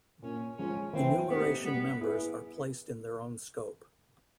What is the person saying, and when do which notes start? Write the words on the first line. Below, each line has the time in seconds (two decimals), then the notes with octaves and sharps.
Enumeration members are placed in their own scope.
0.22 A#2 C#4
0.58 F3 G#3 C#4
0.93 E3 C4
1.29 A3 B3 C4 D#4 G4
1.64 G3 B3
2.00 B3 E4 G#4 B4